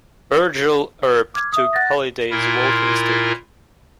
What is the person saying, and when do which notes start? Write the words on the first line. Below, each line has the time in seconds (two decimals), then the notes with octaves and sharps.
Virgil Earp took Holliday's walking stick.
1.34 D6 F6 G#6
1.52 E5 D#6
1.73 F#5 F#6 A6 A#6
2.31 A#2 E4 F4 A#4